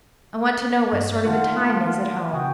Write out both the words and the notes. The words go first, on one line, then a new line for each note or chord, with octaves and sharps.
I want to know what sort of a time is at home.
G2
D#3 A3 A#3 D4 F4 F#5 A5 C6
C#3 F#4 G5 G#5 D#6